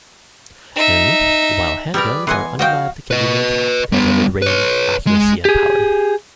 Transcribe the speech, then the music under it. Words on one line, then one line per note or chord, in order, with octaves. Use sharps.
And, while handguns are undeniably convenient, they had limited range, accuracy and power.
D#4 E5
G3 G#4 A#4 B4 D5
E3 B3 D#5 G#5 C6
F3 F#4 D#5 F5 G5
B4 D#5
G3 B3
B4 C#5
G#3
G4 G#4